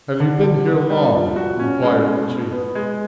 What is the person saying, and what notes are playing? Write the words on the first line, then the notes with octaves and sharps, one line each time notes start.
"Have you been here long?" inquired the Chief.
D3
D3
B3
G3
F3
F#4
C#4
G#3
B2
B2
B3
G#3